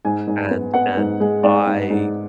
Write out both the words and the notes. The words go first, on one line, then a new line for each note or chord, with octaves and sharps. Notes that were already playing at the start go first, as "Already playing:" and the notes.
and and I
G#2 G#5
G#2
B3
B3 F#5
G#2
G#3
G#2 D5
G#2
G#2